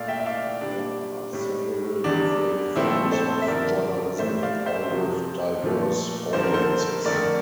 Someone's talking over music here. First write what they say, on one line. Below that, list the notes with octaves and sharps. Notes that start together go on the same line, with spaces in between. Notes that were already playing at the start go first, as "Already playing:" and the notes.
There are several different forms of journalism, all with diverse audiences.
Already playing: A#2 A3 D5 F5
E5 G5
E5
D5 F5
A#2 G3 D4
A2 G3
E2 E3 G3 D4
A#2 F3 A3 C4 E4
A4 C5
E5
G2 D3 F3 A#4 D5
A2 E3 G3 C5 E5
D5 F5
C5 E5
E2 C3 F3
A#2 F3 A3
G2 D3 F3 C5
A#4
A4 C5
F2 D3 A3 A#4 D5